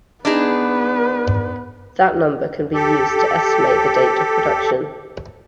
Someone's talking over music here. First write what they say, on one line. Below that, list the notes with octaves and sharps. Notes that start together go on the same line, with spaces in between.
That number can be used to estimate the date of production.
B3 D4 D#4 G#4 B4
G4 A4